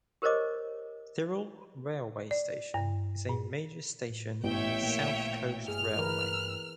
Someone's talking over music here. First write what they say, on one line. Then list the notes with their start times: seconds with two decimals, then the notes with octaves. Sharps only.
Thirroul railway station is a major station on the South Coast railway.
0.22 G4 A#4 C5 C#5 D#5 D6
2.31 D5
2.74 G2
3.29 A#2
4.10 A2
4.44 A1 G#2 B3 C#5 E5 G5
4.83 A#2 A#3
5.68 G2 G#4 F6
5.98 E3 A#4 B4